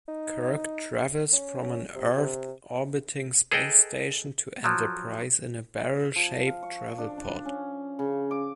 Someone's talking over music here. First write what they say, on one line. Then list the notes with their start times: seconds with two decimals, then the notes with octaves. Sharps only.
Kirk travels from an Earth-orbiting Space station to "Enterprise" in a barrel-shaped "travel pod".
0.08 D#4
1.33 C#4
1.95 C3
2.17 C3
3.52 G#4 A4 B4 D#5 G5
4.64 F3 F#3
6.16 F3
6.47 F5
6.63 C#6
6.98 D4
7.18 D4
7.45 C#4
7.99 C#3
8.31 D6